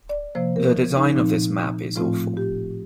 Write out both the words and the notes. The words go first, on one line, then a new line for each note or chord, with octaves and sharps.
The design of this map is awful.
D5
C3 F3 A#3 C5
A#4
D#4
A#2 F3 C4 D#4
A2 F3 A3 C4 F4
G4